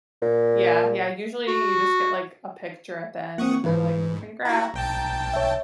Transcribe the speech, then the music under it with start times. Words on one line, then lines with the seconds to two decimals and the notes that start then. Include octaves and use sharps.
Yeah, yeah, usually, you just get, like, a picture at the end and they're like, "Congrats."
0.22 A#2
1.47 F#4
3.38 A#3 C4 F#5 C#6 D#6
3.64 G#2 E3 B4
4.45 E4 F#4 A#5
4.74 B1 G5 A5
5.34 C#5 E5